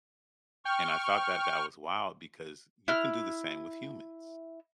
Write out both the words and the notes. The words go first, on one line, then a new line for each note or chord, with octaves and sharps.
and I thought that that was wild, because you can do the same with humans,
G5 C#6 F6
E4 F6